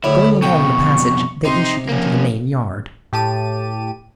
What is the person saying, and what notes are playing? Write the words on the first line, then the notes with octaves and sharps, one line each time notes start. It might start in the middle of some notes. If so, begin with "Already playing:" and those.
Going along the passage they issued into the main yard.
D2 A2 E4 G#4
F2 B2 G5 C#6
C3 D#4 G5 C6
F3 A#3 C#4
A2 G4 A5 D#7